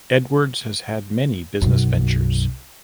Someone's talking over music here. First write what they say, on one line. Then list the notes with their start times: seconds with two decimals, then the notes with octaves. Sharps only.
Edwards has had many business ventures.
1.61 B1 F#2